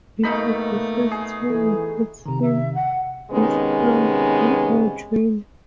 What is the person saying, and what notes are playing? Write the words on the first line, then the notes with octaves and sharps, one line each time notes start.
This was the first time we had seen this plant on our journey.
B2 A3 A#3 D#4 B5
G#4
E3 A4
C3 D#3 A#5
E5
F#5
C3 D#3 G#3 B3 C#4